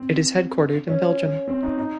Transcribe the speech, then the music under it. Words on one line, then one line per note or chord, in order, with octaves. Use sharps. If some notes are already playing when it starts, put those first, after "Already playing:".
It is headquartered in Belgium.
Already playing: C4
C#4
C4
D#4
D#4